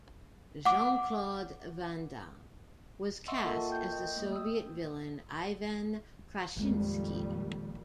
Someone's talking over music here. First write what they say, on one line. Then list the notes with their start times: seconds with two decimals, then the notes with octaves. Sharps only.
Jean-Claude Van Damme was cast as the Soviet villain Ivan Kraschinsky.
0.65 F#5 D6
3.28 D#5 E5 F#5 C6 C#6 E6
3.44 A#3 F4 A4 A#4 A5
3.70 G5 G6
3.92 D#5
4.16 A3 A#3
4.33 D#6 E6
6.56 F2 A#2 D#3 G3 G#3